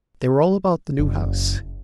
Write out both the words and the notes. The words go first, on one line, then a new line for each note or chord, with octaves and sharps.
They were all about the new house.
F#1